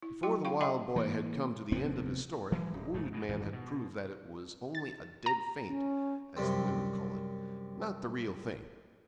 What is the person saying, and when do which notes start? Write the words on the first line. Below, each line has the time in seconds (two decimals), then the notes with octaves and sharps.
Before the wild boy had come to the end of his story the wounded man had proved that it was only a dead faint, as the women call it, not the real thing.
0.02 E4
0.23 F#3 E4 F#4 G5 C6
0.45 D#4 F5 G5 C#6
0.61 D#5 E5 G5 A5 B5 C6
0.96 E3 A#3
1.72 F1 D#2 B3 C4
2.52 E3 F#3 G#3
2.73 D1
2.94 F1 G#2 A3
3.12 G#2 B2
3.29 G#1 F2 A#2 E3
3.53 B2
4.75 A6
5.26 A#5
5.68 C#4
6.37 F#2 C3 G3 C4